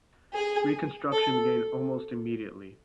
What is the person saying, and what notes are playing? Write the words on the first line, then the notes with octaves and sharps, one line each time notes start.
Reconstruction began almost immediately.
G#4
A4